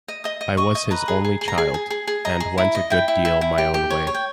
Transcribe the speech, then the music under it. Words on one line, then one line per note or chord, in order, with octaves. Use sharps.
I was his only child, and went a good deal my own way.
D#5
D#5 D#6
D#5
D#5 C#6
D#5
B4 A#5
G#4
G#4
G#4
A#5
G#4 G#5
G#4
G#4
G#4
D#5 A#5
G#4
E4
D#5
E4 G5
E4
E4
E4
G4
G4
C#5
C#5
G5